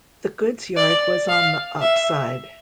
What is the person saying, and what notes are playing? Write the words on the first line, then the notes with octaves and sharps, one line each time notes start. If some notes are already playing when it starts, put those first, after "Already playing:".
The goods yard was on the up side.
D5
F5
E5